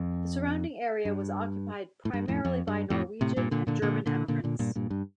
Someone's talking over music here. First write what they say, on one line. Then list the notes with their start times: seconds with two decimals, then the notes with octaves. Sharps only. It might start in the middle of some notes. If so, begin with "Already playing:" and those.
The surrounding area was occupied primarily by Norwegian and German emigrants.
Already playing: F2
1.05 G2
2.05 A2
2.13 G2
2.28 F2 A2
2.45 F2
2.67 G2
2.90 F2 A2
3.21 A2 C3
3.36 G2 A#2
3.51 A#2 D3
3.67 A#2 D3
3.82 A#2 D3
4.06 A#2 D3
4.28 A#2 D3
4.44 A#2 D3
4.59 G2 A#2
4.76 G2 A#2
4.90 G2